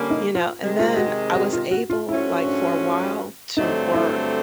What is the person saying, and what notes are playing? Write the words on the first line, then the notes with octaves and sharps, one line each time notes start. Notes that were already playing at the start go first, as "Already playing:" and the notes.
you know, and then I was able, like, for a while to work
Already playing: D3 G3 A#3 C#4
D#4
F4
C3 D#3 G#3 C4
F4
F#4
F#4
F4
F#4
F4
G#2 F3 A3 C#4 E4 F#4
D4
G2 D3 F#3 A3 C4 D#4
E4